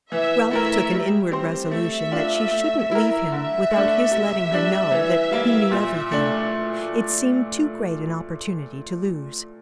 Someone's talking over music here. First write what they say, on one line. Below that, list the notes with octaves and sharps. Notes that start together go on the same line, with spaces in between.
Ralph took an inward resolution that she shouldn't leave him without his letting her know that he knew everything: it seemed too great an opportunity to lose.
E3 E5
A3 E4 A#4 E5
G3
C4 G4 C5
A3 E5
D4 F4
A3
E4 A#4
D3 E5
A3
D4
C3
G3 D4
E3
G3 A#3 E4
A#2
A3 D4